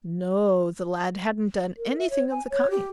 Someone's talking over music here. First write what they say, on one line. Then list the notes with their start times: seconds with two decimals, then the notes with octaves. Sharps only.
No, the lad hadn't done anything of the kind.
1.77 A#4
1.98 E5
2.10 C#5
2.31 G#5
2.51 C#5
2.71 G4